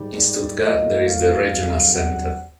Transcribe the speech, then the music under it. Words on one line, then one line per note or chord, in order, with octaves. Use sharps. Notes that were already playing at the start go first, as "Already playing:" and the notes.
In Stuttgart there is the "Regional Center".
Already playing: G#2 D#3 G3
D5
A1 A2 F#3 A#3 D#5
F5
G#1 F#2 D3 G3
F#5